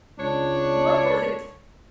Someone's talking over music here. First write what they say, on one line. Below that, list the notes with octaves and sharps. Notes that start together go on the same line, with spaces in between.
"What was it?"
C#2 D4 C#5